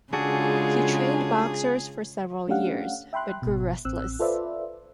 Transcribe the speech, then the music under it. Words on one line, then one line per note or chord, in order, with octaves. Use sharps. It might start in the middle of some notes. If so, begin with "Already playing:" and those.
He trained boxers for several years, but grew restless.
C#3 G#3 D4 F4 F#4 G#4 A4
A3 C#4 D4 G4 F5 F#5
E5 G5 B5 C6 F#6
G#1 B2
A1 C4 E6 F#6
F4 A4 B4 C5 D5 E5